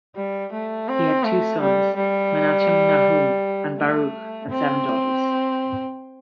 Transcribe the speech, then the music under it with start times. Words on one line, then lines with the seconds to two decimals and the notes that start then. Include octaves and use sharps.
He had two sons, Menachem Nahum and Baruch, and seven daughters.
0.16 G3
0.52 A3
0.88 C4
1.24 A3
1.61 G3
1.96 G3
3.78 A3
4.50 C4